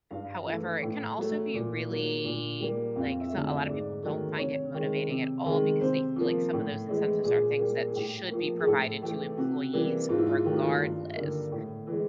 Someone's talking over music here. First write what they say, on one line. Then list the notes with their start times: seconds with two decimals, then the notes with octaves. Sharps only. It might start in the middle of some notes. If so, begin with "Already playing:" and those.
However, it can also be really, like so, a lotta people don't find it motivating at all because they feel like some of those incentives are things that should be provided to employees regardless.
0.11 G2 F5
0.46 E3 A3
0.82 A2
1.18 F#3 A3
1.54 A#2
1.89 F#3 A#3
2.24 A#2
2.61 G3 A#3
2.96 F2 F5
3.20 E5
3.32 D3 F#3 A3
3.44 E5
3.67 G#2 D5
4.02 D#3 F#3 A3
4.38 C3 C#5
4.74 D#3 G#3
5.09 C3
5.46 D#3 G#3
5.81 C3 C5
6.16 F3 A#3
6.53 A2
6.89 E3 G#3
7.24 A#2 G#4
7.59 G3 A#3
7.87 G#4
7.95 A2 G4
8.31 F3 A#3
8.59 G#4
8.66 A2 A4
9.02 E3 A3 G4
9.37 C3 F#4
9.73 E3 G3 A#3
10.09 G#2 F4
10.18 E4
10.27 F4
10.44 D#3 F#3 A3 F4
10.54 F#4
10.62 F4
10.80 G2
11.16 D3 G3 A#3
11.51 A2
11.87 E3 G#3